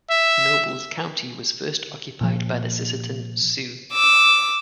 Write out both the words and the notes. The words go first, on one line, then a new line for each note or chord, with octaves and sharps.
Nobles County was first occupied by the Sisseton Sioux.
E5
A#2 F3
D6 E6